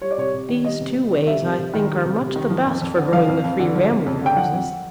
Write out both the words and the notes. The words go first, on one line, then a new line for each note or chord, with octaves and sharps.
These two ways I think are much the best for growing the free, rambling Roses.
G3 C#5
D5
C3 C#5
C3
D#3
G3 D#5
C3
C3
D#3
G3 E5
C3
C3
D#3
G3
C3
C3
D#3
F3
F2
F2
D3
F3 F5
F2
F2
D3
F3
F2
F2
D3 G5
F3 F#5
F2